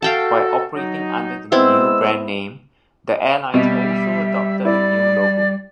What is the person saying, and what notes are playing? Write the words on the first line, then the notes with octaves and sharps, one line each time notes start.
By operating under the new brand name, the airlines also adopted a new logo.
F#4 A4 F5 G5 A5
F#3 D#4
G#3 B3 C4 E4 E6
B2 G3 E5
E4 D5